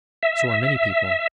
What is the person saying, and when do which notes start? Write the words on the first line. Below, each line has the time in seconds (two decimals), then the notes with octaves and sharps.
So are many people.
0.23 E5